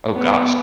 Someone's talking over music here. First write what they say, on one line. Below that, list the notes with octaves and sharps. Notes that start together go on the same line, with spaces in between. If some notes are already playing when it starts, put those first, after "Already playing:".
Oh, gosh.
B3